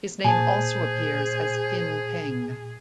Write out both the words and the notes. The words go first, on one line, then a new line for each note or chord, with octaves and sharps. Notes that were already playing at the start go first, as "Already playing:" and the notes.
His name also appears as Tin Peng.
A#2 G#4 C5 G#5 A5